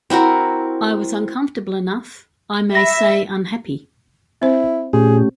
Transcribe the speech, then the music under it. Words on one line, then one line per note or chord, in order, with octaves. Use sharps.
I was uncomfortable enough, I may say unhappy.
C4 E4 F#4 A#4
E5 B5 A#6
C4 E4 C5
A#2 A3 C#4 G4 G#4